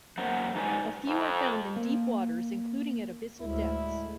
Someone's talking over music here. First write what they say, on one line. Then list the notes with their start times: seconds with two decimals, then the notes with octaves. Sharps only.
A few are found in deep waters including at abyssal depths.
0.18 F#2 A#3 C5 F#5
0.55 G#2 D#4 G4 B4 D5 G#5
1.07 F2
1.77 A#3
3.41 D2 A2 D3 G#3 E4